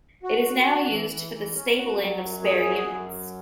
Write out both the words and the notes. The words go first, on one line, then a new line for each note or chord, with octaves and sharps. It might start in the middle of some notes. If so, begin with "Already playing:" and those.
It is now used for the stabling of spare units.
F#4
F#4
F#4
E3
E3
E3
C#4
F#4
F#3
F#2
G#4
F#3
F#2
F#3